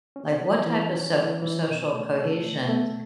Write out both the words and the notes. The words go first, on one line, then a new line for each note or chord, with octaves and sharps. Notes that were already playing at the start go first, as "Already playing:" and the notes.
Like, what type of so social cohesions
C#4
E3
E3
C#4
E3
E3
B2
A3
A4
A3
A3